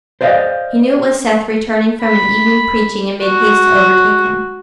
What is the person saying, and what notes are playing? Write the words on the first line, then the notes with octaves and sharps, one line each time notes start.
He knew it was Seth, returning from an evening preaching, and made haste to overtake him.
C5 D5 D#5 F5
B5
F#4